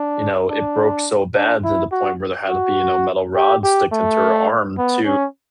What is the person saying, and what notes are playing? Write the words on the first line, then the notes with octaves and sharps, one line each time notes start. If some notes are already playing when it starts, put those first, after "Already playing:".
you know, it broke so bad to the point where there had to be, you know, metal rods sticked into her arm to,
Already playing: D4
D4
D4
E4
F#4
F#4
G4
G4
A3
B3
C#4